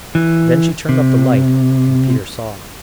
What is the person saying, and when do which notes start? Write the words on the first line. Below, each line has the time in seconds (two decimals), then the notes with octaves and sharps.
Then she turned up the light, and Peter saw.
0.15 E3
0.89 C3